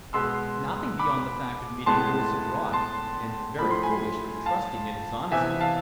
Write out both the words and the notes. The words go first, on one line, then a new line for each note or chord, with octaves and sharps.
"Nothing beyond the fact of meeting Lewis abroad, and very foolishly trusting in his honesty."
B2 G#3 B3 C6 E6
B5 D6
A2 G#3 B3 A5 C6
A5 C6
A2 F3 A3 B5
C6
G#5 B5
F5 A5
C3 E3 B3 E5 G#5
F5 A5